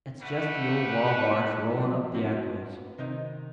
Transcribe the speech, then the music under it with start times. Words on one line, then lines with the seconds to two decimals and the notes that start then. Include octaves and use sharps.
It's jest the old Wabash rollin' up the echoes.
0.21 G3 A3 B4 F#5
1.77 F3 F#3
2.14 B3 C4 D4 F4 F#4 C#5
2.98 C3 D#3 D#4